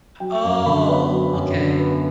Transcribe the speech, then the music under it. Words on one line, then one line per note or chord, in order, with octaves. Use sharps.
Oh, okay. B
F#3 G5
F#2
D3 B5
B3
F#3
F#2
D3
B3